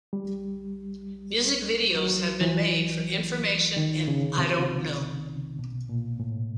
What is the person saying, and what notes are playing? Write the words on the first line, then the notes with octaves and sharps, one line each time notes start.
Music videos have been made for "Information" and "I Don't Know".
G3
F#3
E3
D#3
C#3
C3
B2
A#2
A2